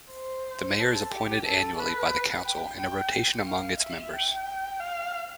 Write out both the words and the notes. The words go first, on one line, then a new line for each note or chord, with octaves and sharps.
The Mayor is appointed annually by the Council in a rotation among its members.
C5
A4
G4
A4
B4
G5
G5
F5
E5
G5
F5